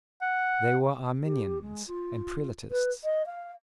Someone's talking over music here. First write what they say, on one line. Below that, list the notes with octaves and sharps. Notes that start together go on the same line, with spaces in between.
They were Arminians and Prelatists.
F#5
G4
G#3
F4
B4
D#5
F5